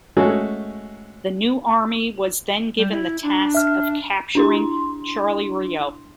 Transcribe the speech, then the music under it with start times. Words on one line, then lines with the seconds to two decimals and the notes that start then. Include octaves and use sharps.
The new army was then given the task of capturing Charleroi.
0.17 G#3 A3 C#4 F#4 G#4 A4
2.77 G3
2.91 E4
3.23 D4
3.55 E5 F6
4.35 D4 E4 C6